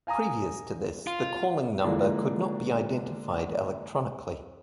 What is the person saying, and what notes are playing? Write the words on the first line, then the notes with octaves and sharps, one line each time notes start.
Previous to this, the calling number could not be identified electronically.
F5 G#5 A#5 D#6
F4
D3 E3 F3 G#3 A#3 D4